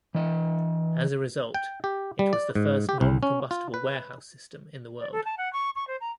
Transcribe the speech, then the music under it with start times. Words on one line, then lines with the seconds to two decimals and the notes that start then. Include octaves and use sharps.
As a result, it was the first non-combustible warehouse system in the world.
0.15 E3 D#5
1.54 G5
1.84 G4
2.19 G3
2.33 D5
2.55 G#2
2.89 G4
3.01 C2
3.23 C#4
3.51 F4
3.74 B4
4.98 D5
5.11 A4
5.25 A5
5.37 F#5
5.52 C#6
5.75 C#6
5.87 C5
6.00 A#5